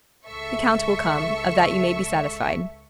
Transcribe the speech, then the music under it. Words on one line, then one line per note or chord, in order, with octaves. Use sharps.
"The count will come, of that you may be satisfied."
C#2 A4 E5 C#6